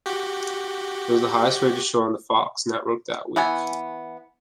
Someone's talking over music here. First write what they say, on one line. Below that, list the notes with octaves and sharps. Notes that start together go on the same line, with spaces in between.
It was the highest-rated show on the Fox network that week.
F#4 G4
E3 B3 G#5